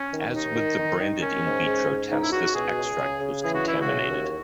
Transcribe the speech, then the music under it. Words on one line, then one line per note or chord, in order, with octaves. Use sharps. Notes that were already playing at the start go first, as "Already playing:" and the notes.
As with the branded in vitro test this extract was contaminated.
Already playing: C#4
D#3
D#2 D#4
D#3
D#3
D#3
D#3 C#4
G#2
G#2
G#2
C#2 D#4
E4
C#2 F#4
B2 G#4
C#2
C#3
C#3
E3 G#4
F#4
C#2 E4
F#4
C#3
D#2